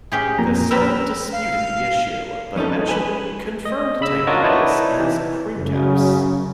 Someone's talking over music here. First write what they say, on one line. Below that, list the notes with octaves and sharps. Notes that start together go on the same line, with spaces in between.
The Senate disputed the issue but eventually confirmed Tiberius as "princeps".
C#4 G4 G#4
F2 A#2 A#5
G3 A#4 B4 E6
F5
F2 C#4 D#4 A4
B4 G#5
D#5
C#3 B5 E6
D4 F4 F#4 A#4 C#5 D#5
D#4 E4 B4 C#5 D5 A5
E3
F#2 C#3